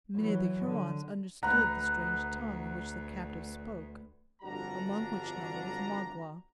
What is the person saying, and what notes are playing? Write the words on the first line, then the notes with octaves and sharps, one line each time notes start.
Many of the Hurons understood the strange tongue in which the captive spoke, among which number was Magua.
E3 F#3
D3
D2 B4 F#5 A#5
G1 F2 G3 D4 F#4 A#5